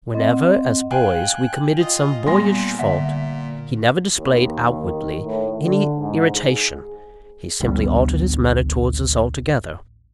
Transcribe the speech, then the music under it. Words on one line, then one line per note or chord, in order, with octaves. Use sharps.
Whenever, as boys, we committed some boyish fault, he never displayed outwardly any irritation--he simply altered his manner towards us altogether.
C4 D#5 F#5
F5 G5 G#5 F#6
F4 D#5
A#2 G3 B3 G#5 C6 A#6
D3 E5 F#5 B6
D#2
D#3
A2
D3
G#2
G#4
A1 D2 G3 B3